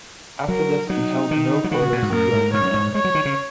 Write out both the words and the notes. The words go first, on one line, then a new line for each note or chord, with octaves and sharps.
After this he held no further seagoing command.
F#3 A#4
F#3 D#4
D#3
F#3
D#3 F#4
C#3
A#2
G#2
F#2 A#4
G#2
G#2 C#5
F#2
G#2
G#3 C#5
F#3
D#3
C#3